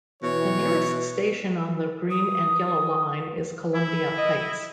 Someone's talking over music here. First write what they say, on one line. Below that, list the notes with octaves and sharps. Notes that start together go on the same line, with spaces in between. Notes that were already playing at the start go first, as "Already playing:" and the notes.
The nearest station on the Green and Yellow Line is Columbia Heights.
B2 E3 C#5
D#6
E4
D#5